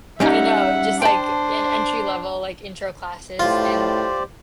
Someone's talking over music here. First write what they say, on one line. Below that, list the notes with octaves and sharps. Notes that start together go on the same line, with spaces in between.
I know, it's just, like, an entry-level, like, intro classes and
G3 C#4 D#4 E5 F#5
D4 C5 G5 A5
A2 F4 G4 C5 D5